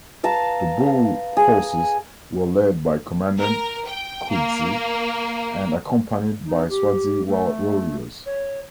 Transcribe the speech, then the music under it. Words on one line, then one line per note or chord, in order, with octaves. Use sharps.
The Boer forces were led by Commandant Coetzee and accompanied by Swazi warriors.
B4 F5 A5 A#5
G#4
A#4
G5
A#3
D#4
G4
A3
C#5